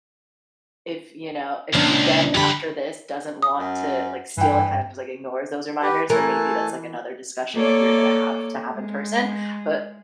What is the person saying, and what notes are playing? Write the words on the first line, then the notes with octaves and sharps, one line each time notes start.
if, you know, if he then, after this, doesn't want to like, still, kind of, just, like, ignores those reminders, then maybe that's another discussion that you're gonna have to have in person. But,
C#2 A#2 C#4 D4
F#2 D3 G4 B5
D#6
F#2
G2 E3 G5
G4 B4
E3 A3 A#4 G#5 A5
A#3 A4 C#5 D5
G#3